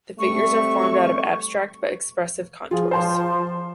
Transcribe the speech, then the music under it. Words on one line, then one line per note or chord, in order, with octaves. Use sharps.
The figures are formed out of abstract but expressive contours.
G3 A3 C4 C#6
F3 F4 G#4
F3 C5 A5 C6